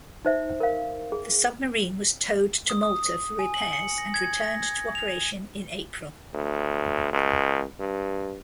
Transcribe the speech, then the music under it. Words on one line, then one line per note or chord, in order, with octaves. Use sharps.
The submarine was towed to Malta for repairs and returned to operation in April.
D#4 C5 E5
A#4 F5
G#4
D#6
D#6
G#5
F#7
C#7
A#6
G#6
A#6
G#6
F7
D2
C#2
G2